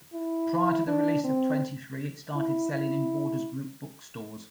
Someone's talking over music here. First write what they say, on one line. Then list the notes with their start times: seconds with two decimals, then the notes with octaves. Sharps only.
Prior to the release of twenty-three it started selling in Borders Group book stores.
0.13 E4
0.87 D4
1.24 C4
2.36 E4
2.73 E4